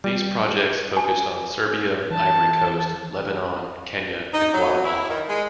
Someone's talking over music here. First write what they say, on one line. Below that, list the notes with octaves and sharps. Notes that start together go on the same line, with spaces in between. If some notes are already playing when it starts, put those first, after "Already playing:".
These projects focused on Serbia, Ivory Coast, Lebanon, Kenya and Guatemala.
G3
G#5
E3 A5
D#4
F#3
E4
D#3
G#3